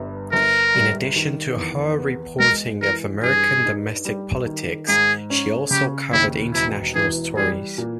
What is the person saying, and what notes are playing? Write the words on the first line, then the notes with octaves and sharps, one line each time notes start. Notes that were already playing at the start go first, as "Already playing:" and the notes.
In addition to her reporting of American domestic politics, she also covered international stories.
Already playing: G1 G2
G1 A#4
G3
D#3
E2
B3
G#3 A#4
E3 A#4
G2 G#4
D#4
G3
D#3
G#2 G#4
C#4
C#3 G4
D#2 E4
E1 E4
E3 G#4
G3 G#4
A#2